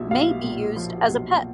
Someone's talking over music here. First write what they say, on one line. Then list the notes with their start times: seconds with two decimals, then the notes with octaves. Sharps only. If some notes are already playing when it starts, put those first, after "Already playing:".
May be used as a pet.
Already playing: B1 A#2 F3 E5
0.11 B1 F5
0.44 A#2
0.76 F3
1.08 B1